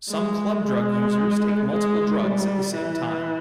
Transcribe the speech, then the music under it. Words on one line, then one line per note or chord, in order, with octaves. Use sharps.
Some club drug users take multiple drugs at the same time.
G#3
G#3
G#3
G3
E3